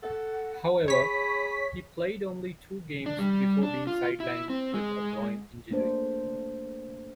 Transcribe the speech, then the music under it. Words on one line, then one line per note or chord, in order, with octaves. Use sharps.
However, he played only two games before being sidelined with a groin injury.
A4 F#5
G#4 C#5 B5 B6
D4
G3
D4
F4
E4
C4
G#3
A3 A#3 D4 C5